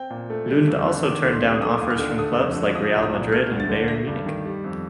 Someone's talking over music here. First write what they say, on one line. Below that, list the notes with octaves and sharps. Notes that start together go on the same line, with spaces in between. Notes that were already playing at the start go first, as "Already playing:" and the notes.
Lund also turned down offers from clubs like Real Madrid and Bayern Munich.
Already playing: C4 G5
A#2
A3
G3
F2
D3
D#3 D6
D2
C6
C3
A3 D#6
D6
D#2 D#6
F6
D3
A3 D#6
F2
D3
F3 D#6
C2
D#6
A#2
A3 F6
D2
A6
D3
A3 A#6
G2
D#3
G3
F2